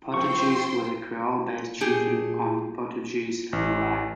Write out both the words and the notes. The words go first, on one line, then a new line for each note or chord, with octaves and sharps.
Portugis was a creole based chiefly on Portuguese and Malay.
F3 C4 C5 G5 C6 C#6
A#2 A3 G4 G#4
A1